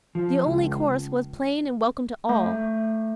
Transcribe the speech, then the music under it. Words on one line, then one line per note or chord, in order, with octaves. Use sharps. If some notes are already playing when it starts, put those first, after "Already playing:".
The only course was plain and welcome to all.
F3
C#2
A3